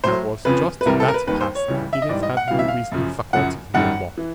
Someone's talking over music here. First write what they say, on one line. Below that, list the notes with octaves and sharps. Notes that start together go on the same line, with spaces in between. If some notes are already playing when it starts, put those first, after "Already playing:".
I was just to that pass I didn't have no reasoning faculties no more.
A2 F#3 C5
F2 C#3 F3 B4
B4
C2 C3 E3 G3 A#4
A4
A#4
B4
D#2 D#3 G3 B4
C5
C#5
C#2 C#3 E3 G3
E5
D#5
G#2 E3 G3 D5
D#5
F#5
F2 C#3 E3 G3 F5
E5
F5
F#2 C#3 F3
F#2 C#3 F3 F#5
F#2 D#3 G3 F#5
E3